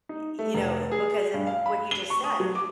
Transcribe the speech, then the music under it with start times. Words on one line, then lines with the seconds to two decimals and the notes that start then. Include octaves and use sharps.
Y you know, because of what you just said,
0.09 D#4
0.39 A3
0.54 F1
0.91 G#4
1.34 G2
1.47 F5
1.66 B5
1.91 G7
2.10 C#6
2.24 D#6
2.40 F#3
2.55 D6